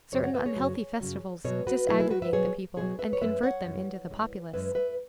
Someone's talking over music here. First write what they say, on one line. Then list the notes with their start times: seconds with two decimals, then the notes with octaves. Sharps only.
Certain unhealthy festivals disaggregate the people and convert them into the populace.
0.12 F#2 C#3 F#3 G#4 C#5
0.24 C#5 F#5
0.34 B4 E5
0.45 G#4 C#5
0.56 F#2 C#3 F#3
1.01 F#2 C#3 F#3
1.44 B2 F#3 G#4 C#5
1.67 F#4 B4
1.88 B2 F#3 E4 G#4
1.99 E4 G#4
2.10 F#4 B4
2.22 B4 E5
2.33 B2 F#3 G#4 C#5
2.77 B2 F#3 G#4 C#5
2.99 B4 E5
3.13 C#5
3.21 F#2 E3 G#3 B4 E5
3.43 C#5 F#5
3.65 F#2 E3 G#3
4.09 F#2 E3 G#3
4.53 F#2 E3 G#3 B4 E5
4.75 B4 E5